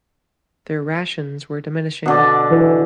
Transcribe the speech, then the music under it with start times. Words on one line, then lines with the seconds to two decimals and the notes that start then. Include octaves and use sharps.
Their rations were diminishing.
2.06 B2 D3 D5
2.51 E3